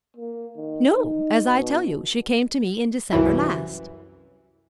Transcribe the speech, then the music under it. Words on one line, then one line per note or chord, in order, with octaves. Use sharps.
"No; as I tell you, she came to me in December last."
A#3
D#3
D#4
B2
C2 F#2 E3